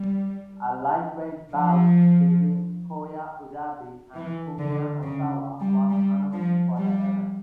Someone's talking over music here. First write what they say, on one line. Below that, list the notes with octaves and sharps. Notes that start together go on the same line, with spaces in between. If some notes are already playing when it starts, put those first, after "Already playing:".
A lightweight bout between Koya Urabe and Fumiya Osawa was announced for the event.
Already playing: G3
F3
E3
D3
C#3
G3
G3
F3
G3